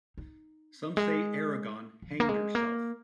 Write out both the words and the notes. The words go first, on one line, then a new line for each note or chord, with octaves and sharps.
Some say Erigone hanged herself.
D#4
F3
G#3
F3
A#3
G#3
A#3